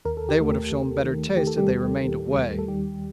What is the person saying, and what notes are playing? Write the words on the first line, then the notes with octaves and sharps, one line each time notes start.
"They would have shown better taste had they remained away."
D#2 A#4
A4
G4
D#2 A3 A4
D#2
D#3
D#3 G4
A4
G3 G4
D#2
D#3
D#2
A4
D#3 G3 G4